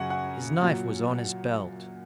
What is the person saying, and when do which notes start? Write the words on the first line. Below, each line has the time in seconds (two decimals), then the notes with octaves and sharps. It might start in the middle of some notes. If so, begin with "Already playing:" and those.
His knife was on his belt.
Already playing: F#2 C#3 F#3 F#5 G#5 C#6
0.10 F#5
0.62 A#2 F#3